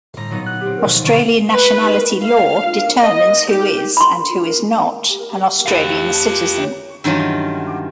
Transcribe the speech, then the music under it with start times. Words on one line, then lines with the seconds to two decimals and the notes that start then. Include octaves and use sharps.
Australian nationality law determines who is and who is not an Australian citizen.
0.17 G1 A2 A#5
0.31 A#2 F#3 B3 D#4
0.46 F#6
0.66 C4
0.84 D#2 B2 F3
1.04 B2 D3 B5 C#6 A6 D7
1.50 B4
2.23 F5
3.00 D#5
3.50 G4
3.97 B5 C6
5.66 G4 F5
7.04 G2 D#3 E3 F#3 C#4 F4